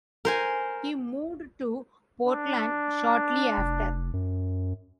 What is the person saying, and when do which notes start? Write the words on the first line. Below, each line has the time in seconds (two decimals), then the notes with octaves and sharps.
He moved to Portland shortly after.
0.25 A#4 C5 G#5
2.26 D4
3.57 F1
4.13 F#2